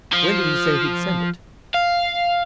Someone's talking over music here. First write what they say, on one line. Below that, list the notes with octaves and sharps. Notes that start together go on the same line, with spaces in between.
"When did he say he'd send it?"
F3
F5